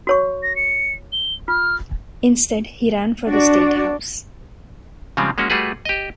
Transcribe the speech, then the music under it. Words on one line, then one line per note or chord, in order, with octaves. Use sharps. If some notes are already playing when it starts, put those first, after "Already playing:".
Instead, he ran for the State House.
F#4 C#5 C#6
A#6
C#7
G7
F4 F6
D4 F#4 D5
C#3 F3 G3 G#3 C4
G#3 A#3 C#4 F#4
G3 A3 F#4 G#4 B4
G4 D#5